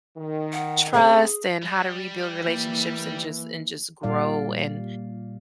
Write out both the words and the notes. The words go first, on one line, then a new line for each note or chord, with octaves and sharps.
trust and how to rebuild relationships and just and just grow and
D#3
F#5
C#3 A3 C4 G#4
G3
E3 A#3
A#2 G3 D5 F5